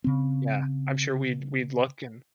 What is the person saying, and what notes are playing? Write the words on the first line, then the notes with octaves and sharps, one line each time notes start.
Yeah, I'm sure we'd we'd look and,
C#3 C4